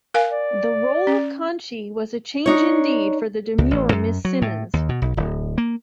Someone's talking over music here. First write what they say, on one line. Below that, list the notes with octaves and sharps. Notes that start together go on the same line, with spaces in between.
The role of Kanchi was a change indeed for 'the demure Miss Simmons.
A#4 F5 G#5
D5
C#4
D4 D#4 C#5
C#2
A1
F#2
F#3
A2
D#2
B2
B1
D1
A#3